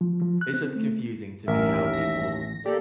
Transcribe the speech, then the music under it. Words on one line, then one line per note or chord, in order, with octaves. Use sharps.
it's just confusing to me how people
F3
F3
F#6
C4
A3
A1 D#2 A#4 E5
A#6
A#3 G4 A4 D5